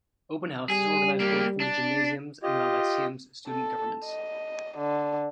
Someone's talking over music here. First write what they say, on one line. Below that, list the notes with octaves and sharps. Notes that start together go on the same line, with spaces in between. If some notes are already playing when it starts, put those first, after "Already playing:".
Open House is organized both from the Gymnasium's and the Lyceum's student governments.
G3 G#4
A#3 G4
D4
F4 G4 D#5
A4
D#5
D3